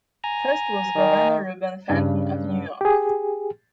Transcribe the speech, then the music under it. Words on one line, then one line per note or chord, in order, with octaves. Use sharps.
First was Governor Reuben Fenton of New York.
G#5 A#5
D#3
G2 C#3
G4 G#4